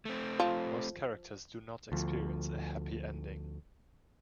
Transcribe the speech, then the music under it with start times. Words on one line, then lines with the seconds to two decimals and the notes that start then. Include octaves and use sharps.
Most characters do not experience a 'happy ending'.
0.05 A3 C4
0.40 F3
1.92 D2 F3